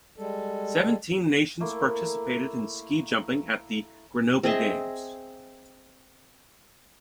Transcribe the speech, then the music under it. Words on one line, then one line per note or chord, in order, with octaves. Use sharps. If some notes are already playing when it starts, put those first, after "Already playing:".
Seventeen nations participated in ski jumping at the Grenoble Games.
G3 G#3 A4
A3 A#3 E4
C4 G#4 D#5 E5